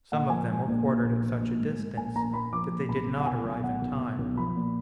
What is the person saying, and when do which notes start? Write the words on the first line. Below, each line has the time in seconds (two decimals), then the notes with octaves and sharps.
Some of them were quartered at such a distance that they did not arrive in time.
0.12 A#1 F#5
0.30 F3 G#5
0.49 G#2
0.68 A#1
0.85 A#1
1.04 A#1
1.23 A#1
1.42 A#1
1.60 G#2
1.78 G#2
1.96 A#1 G#5
2.15 A#1 A#5
2.34 A#1 B5
2.53 F3 D6
2.71 A#2
2.89 B1 B5
3.07 B1
3.20 F#5
3.26 B1 G#5
3.45 B1
3.63 B1 F#5
3.82 B1
4.00 B1
4.19 B1
4.37 F3 B5
4.56 A#2